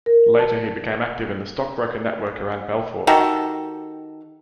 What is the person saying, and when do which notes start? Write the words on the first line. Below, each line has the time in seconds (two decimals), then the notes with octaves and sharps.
Later he became active in the Stockbroker Network around Belfort.
0.06 A#4
0.39 A5
3.07 D#3 F#4 G4 A4